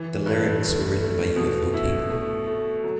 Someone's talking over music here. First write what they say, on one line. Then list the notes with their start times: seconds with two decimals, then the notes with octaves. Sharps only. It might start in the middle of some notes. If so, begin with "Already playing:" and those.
The lyrics were written by ufotable.
Already playing: E3
0.26 G2
0.63 A3
1.00 A3
1.36 B2
1.74 E4
2.10 A3
2.47 A3
2.84 F#3